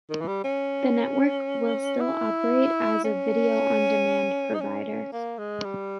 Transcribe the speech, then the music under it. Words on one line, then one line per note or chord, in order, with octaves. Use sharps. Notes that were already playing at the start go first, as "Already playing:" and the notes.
The network will still operate as a Video On Demand provider.
D#3
E3
G3
C#4
E4
C#4
D#4
C#4
A#3
G#3
G3